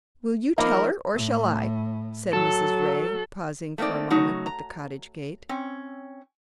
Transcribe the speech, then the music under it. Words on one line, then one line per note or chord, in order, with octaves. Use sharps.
"Will you tell her or shall I?" said Mrs. Ray, pausing for a moment at the cottage gate.
F3 A#3 D#4 A#4 D#5 B5 D6
A2
F#3 A4
A3 A#3 C4 D#4 D5
C#3 F#3 A3 D#4
A#5
C4 C#4